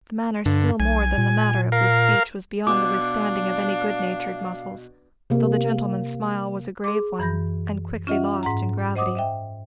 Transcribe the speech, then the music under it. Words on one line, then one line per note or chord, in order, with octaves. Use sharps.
The manner still more than the matter of this speech was beyond the withstanding of any good-natured muscles, though the gentleman's smile was a grave one and quickly lost in gravity.
G2 D3
B1 G#5
A#2
A#4 F5
B2 D4 F5 D6
C3 A#3
G#4 C6 D6
F#2 E3 B5 G6 A#6
C#4 F4 D#5 E5 F#5
G#2 F#5 A#5
C5 D#5 F#5 D6 D#6
D#5 E5 G5